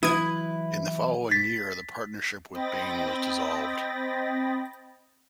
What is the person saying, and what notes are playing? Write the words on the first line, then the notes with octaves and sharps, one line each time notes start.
In the following year the partnership with Baine was dissolved.
E3 F#3 E4 B4 D#6 G#6
A6 B6
C4 D#5 G5 B5 A6 A#6